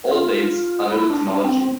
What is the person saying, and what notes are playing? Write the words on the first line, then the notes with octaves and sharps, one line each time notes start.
All dates are middle chronology.
F4
E4
D4
D4
C4